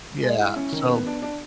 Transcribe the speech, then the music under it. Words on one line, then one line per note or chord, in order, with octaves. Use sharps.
Yeah, so
G#3
E4
C#4
D#3
B3
D4
D4